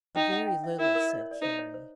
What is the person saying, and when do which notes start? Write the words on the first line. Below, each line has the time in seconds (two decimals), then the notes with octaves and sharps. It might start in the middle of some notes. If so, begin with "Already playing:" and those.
"A very little," said Carrie.
0.15 D#4 G5
0.32 F#5
0.47 G5
0.64 E5
0.78 E4 A#4
0.95 A#4
1.10 D#5
1.21 C#5
1.31 D5
1.42 D#4 C5
1.59 C#5
1.74 C5